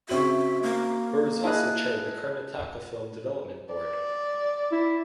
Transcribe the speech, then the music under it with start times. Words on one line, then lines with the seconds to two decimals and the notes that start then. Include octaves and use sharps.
Urs also chaired the ""Karnataka Film Development Board"".
0.09 C#3 C4 F#4 E5 C#6 F#7
0.63 A#3
1.44 E4 G#4 D#5 A5 F#6
3.74 D5
4.72 E4